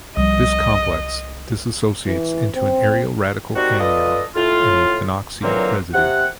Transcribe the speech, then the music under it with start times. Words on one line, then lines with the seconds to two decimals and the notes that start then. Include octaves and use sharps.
This complex dissociates into an aryl radical anion and a phenoxy residue.
0.17 C2 F3 G3 D#5
2.07 E3
2.55 C4
3.56 D#3 G3 C4 F#4
3.80 F4 A4 B4 D5 D#5
4.36 A2 F4
5.43 A#2 D3 E3 F#3 A#3 C4
5.94 C3 F#5